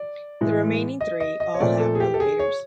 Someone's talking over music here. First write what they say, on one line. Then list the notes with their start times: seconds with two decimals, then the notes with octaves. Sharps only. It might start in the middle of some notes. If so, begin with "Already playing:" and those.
The remaining three all have elevators.
Already playing: D5
0.41 A2 E3 G#3
1.01 D#5
1.20 D#5
1.40 D#5
1.54 C#5
1.60 A#2 F3 A3 C4 D5
1.80 A4
1.95 G#4
2.00 G4
2.14 A4
2.20 G#4
2.39 C#5